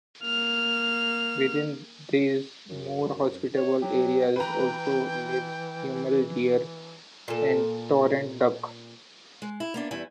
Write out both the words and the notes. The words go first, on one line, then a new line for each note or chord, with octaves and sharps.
Within these more hospitable areas also live huemul deer and torrent duck.
A#3 F6
F#2
C#5
F#3 G4
E3 B4 G5 A#5
A#2 A4
G#3
E4
A#3 B3 D4
E2 G3 E4 G#5